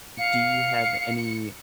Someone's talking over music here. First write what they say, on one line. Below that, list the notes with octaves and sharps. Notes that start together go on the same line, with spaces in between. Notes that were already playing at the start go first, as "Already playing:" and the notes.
Do you have any
F5 C#7